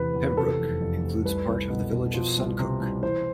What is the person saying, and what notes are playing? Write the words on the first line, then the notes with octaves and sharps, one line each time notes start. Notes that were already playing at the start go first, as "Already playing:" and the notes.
Pembroke includes part of the village of Suncook.
Already playing: E2 C3 E3 B4
E2
B4
C3 A4
F1
F2
F1
C2 B4
C2
B2
B2
F3
C2
C3
C2
E3 C5